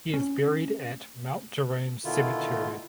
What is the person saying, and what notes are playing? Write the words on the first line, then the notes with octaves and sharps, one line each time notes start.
He is buried at Mount Jerome cemetery.
C#4
B2 D3 D#3 E4 F4